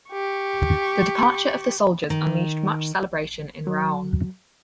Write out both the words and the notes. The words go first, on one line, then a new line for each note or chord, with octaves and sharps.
The departure of the soldiers unleashed much celebration in Raon.
G4 C#6
D#3
F#3